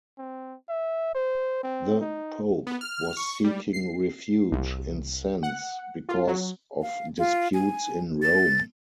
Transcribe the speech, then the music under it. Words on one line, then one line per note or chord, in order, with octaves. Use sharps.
The Pope was seeking refuge in Sens because of disputes in Rome.
C4
E5
C5
C4
D#4
B3
F6
C#6
G3
C7
C2
F#5
F4
F#3
F5
F4
G#5
A6